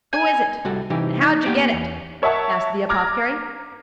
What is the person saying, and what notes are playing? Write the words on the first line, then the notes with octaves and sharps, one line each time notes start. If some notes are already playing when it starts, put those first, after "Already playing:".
'Who is it, and how did you get it?' asked the apothecary.
G#5
C2 G3 F#4 A4
C3 E3 D#4 G4
D#4
A#3 B3 G4 D5
E2
A#4 C#5 E5 F#5 A5 C#6
A#5 D6 F6 G#6 A#6